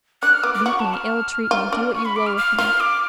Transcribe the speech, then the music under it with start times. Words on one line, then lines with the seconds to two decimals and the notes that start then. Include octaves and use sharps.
Beat me, ill-treat me, do what you will with me....
0.22 D4 F#6
0.33 F6
0.43 B3 D6
0.54 D6
0.65 F#4 C#6
0.80 A5
0.94 F6
1.51 F4
1.73 D4
1.94 C#6
2.05 B5
2.16 D6
2.27 F6
2.37 F6
2.58 F4 F6
2.80 D6